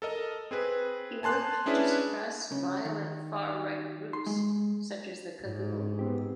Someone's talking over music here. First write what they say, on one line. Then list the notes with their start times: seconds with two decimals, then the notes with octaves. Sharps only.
He worked to suppress violent far right groups such as the Cagoule.
0.02 A4 A#4 D#5
0.51 C4 G#4 B4
1.23 G#5 A5 C6 F#6 A6
1.66 C#4 D4 E4 G#4 B4
2.52 C#3
2.85 D#3
4.13 C6
4.26 G#3
5.42 G#2
5.99 B3 C4 G4